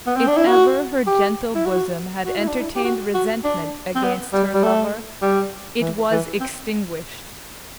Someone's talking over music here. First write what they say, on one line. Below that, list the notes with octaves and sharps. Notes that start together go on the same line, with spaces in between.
If ever her gentle bosom had entertained resentment against her lover, it was extinguished.
B3
C4
D4
E4
F#4
G4
E4
F#4
F#4
E4
D4
E4
G4
F#4
F#4
D4
C4
B3
G3
G3
A3
G3
E3
E3
C4